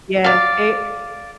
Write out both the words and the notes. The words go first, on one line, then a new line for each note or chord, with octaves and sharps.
Yeah. It
D5 F5